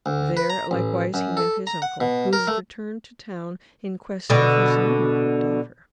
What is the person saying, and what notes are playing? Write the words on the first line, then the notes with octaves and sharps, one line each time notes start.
There likewise he met his uncle, who was returned to town in quest of his new-married daughter.
D2
B4
A#5
A1
F#2
A4
A#5
F#5
B2
A#4
A3
B2 D3